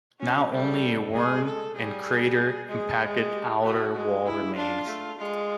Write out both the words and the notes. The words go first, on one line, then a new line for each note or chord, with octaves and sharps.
Now only a worn and crater-impacted outer wall remains.
C#4 F#4
G3 A4
G#3 G#4
A4
G3 G#4
G#4
G#3 G#4
G#3
G4
A3 F#4
G#3
E4
D4 F4
A3
G#3 F4